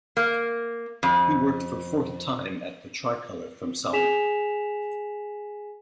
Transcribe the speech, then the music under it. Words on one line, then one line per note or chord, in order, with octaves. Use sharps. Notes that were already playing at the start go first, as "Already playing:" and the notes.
He worked for fourth time at the "Tricolor" from Salvador.
A#3
F2
G#4 G#5 B6 E7 F7